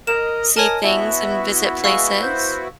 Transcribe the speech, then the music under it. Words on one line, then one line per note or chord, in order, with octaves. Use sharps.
see things and visit places.
A#4 D#5 E7
A#4 C#5 G#5 A5
B3 E4 F#4 E5
G#3 F5 C#6 E6
C5